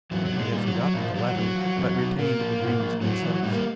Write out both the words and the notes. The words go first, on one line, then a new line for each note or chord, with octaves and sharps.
He had forgotten the latter, but retained the dreams themselves.
E2 F#3
F#3
B2
G#3
A#2 G3
F#3
F3
F#3
A#2 F3
F3 F#3
A2 F#3
F3
E2
B2
A#2 A#3
F3
G#2
F3
A2 F#3
E3
A2 G3
A#3